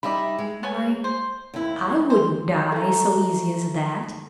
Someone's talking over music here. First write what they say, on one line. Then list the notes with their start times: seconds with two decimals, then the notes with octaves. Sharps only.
"Why, I wouldn't die so easy as that."
0.03 G3 D#4 D5 E5 B5
0.39 G#3
0.63 B3 C#5 G#5
1.04 C5
1.54 D#2 E4
2.10 C5
2.72 A3 A#5